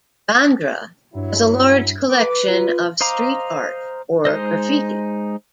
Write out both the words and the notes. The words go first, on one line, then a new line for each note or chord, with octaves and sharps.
Bandra has a large collection of street art or graffiti.
G2 F#3 E4
B4 D6
F4
C5 D#5 F5 A#5 D6
G#3 D#4 C5 D#5